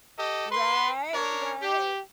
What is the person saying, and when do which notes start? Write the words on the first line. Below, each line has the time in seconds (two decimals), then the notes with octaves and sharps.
Right, right.
0.17 G4 A4 D#5
0.51 B4 C6
1.12 D4 A#4 C#5
1.61 G4